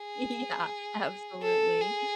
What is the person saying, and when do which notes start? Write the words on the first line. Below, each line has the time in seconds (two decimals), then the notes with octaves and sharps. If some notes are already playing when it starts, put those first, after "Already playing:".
Yeah. Absolutely.
Already playing: G#4
1.42 A4
1.81 G#4